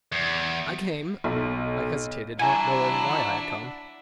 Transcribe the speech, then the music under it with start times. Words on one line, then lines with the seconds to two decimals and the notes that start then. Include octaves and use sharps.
I came,”—I hesitated, not knowing why I had come.
0.12 E2
1.24 B1
2.39 D4 E4 F#5 G#5 A#5